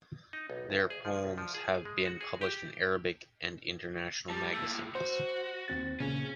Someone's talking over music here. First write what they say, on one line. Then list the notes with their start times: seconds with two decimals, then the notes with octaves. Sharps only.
Their poems have been published in Arabic and international magazines.
0.33 D#4
0.50 B1
0.70 D2
0.90 G#4
1.05 F3
1.24 C2
1.38 F3
1.54 G#4
1.85 G#3
2.06 F#4
2.21 G#4
2.41 G4
4.30 G3 A5
4.53 A#2 A3
4.95 F#4 C5
5.68 D#2 C4 A6
6.00 A#2 C#3 C#4